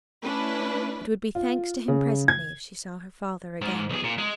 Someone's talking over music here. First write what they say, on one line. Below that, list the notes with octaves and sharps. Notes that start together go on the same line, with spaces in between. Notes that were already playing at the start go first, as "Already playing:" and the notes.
It would be thanks to him presently if she saw her father again.
A3 C#4 D4 E4 B4
F4
C#3
G#6
G#2
B1 G#4
A#2
G#3